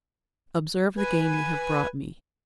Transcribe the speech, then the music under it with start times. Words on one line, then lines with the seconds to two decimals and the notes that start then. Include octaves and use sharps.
Observe the game you have brought me!
0.98 B4 G#5